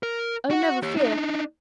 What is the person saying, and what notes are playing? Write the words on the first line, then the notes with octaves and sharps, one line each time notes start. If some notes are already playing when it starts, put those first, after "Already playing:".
'Oh! never fear!
A#4
F#4 F#5
G4 C#5
D4 D#4